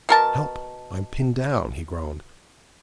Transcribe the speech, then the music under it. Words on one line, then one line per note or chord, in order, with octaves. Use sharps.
"Help, I'm pinned down," he groaned.
B2 A#4 A5